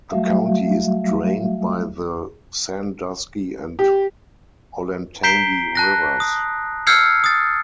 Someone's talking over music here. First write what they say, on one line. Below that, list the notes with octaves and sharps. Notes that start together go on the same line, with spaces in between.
The county is drained by the Sandusky and Olentangy Rivers.
F#3 G3 A3 F#4 E5 F5
G4
A#5 G6 B6 C7 D7 G7
A5 F#6 A#6
D#6
E6 F6 G6 G#6 C7 C#7
D#6 A6